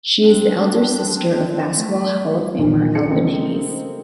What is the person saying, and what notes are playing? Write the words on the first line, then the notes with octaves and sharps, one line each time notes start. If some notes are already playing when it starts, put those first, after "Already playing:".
She is the elder sister of basketball Hall-of-Famer Elvin Hayes.
C4 D4
A3
B1 E2 A#2
C#4 A4 C#7
C#3 G3 A3 A#3 C4 D#4